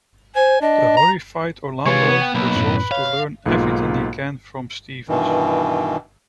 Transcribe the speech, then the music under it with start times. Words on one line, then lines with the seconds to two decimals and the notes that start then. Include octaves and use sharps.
The horrified Orlando resolves to learn everything he can from Stevens.
0.36 C5 G#5
0.61 D4 D#5
0.97 A#5
1.86 C3 G#3 F4 B4 C#5
2.08 B3
2.22 G5
2.35 B1 A#3 B4
2.56 F#2 A2
2.91 C#5 F5
3.46 B1 G#2 A#3 F4
5.09 G2 B2 D#3 E3